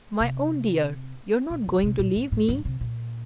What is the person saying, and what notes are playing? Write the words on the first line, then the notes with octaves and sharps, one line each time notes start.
"My own dear, you're not going to leave me!"
C3
A#2
C3
D3
C3
A#2
A2
A2
G2
C3
A#2